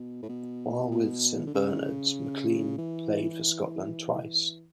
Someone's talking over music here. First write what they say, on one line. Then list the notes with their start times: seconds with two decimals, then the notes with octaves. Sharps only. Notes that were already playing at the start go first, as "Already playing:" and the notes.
While with Saint Bernard's, McLean played for Scotland twice.
Already playing: B2
0.23 A2
0.29 B2
0.91 B2
1.47 D3
1.54 C#3
2.78 E3